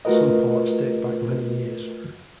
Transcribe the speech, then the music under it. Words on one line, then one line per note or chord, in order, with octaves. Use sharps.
Some ports date back many years.
A3 F4 F#4 A#4 B4 D#5